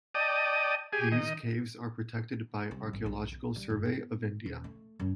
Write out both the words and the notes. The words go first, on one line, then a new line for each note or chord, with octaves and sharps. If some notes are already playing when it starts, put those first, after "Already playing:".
These caves are protected by Archaeological Survey of India.
D5 D#5 G5 A5 D#6
G4 G#4 G#5
D#3 D#5
C2
G#1
B1
B1
G3
G1
B3
D#1
A3
F#2